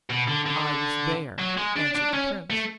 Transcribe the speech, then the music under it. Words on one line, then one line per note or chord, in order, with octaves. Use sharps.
'I was there,' answered the prince.
B2
D3
D3
F#3
G#3
D4
D4
C#4
A3